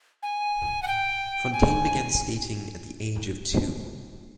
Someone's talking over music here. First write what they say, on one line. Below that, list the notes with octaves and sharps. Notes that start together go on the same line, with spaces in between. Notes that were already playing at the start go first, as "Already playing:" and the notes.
Fontaine began skating at the age of two.
G#5
F#5
G5
G#5